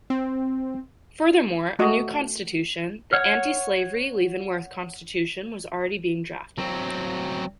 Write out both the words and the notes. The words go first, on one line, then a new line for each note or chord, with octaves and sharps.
Furthermore, a new constitution, the anti-slavery Leavenworth Constitution, was already being drafted.
C4
A3 F#4 D#5
C#5 F#5 F6
F#3 C4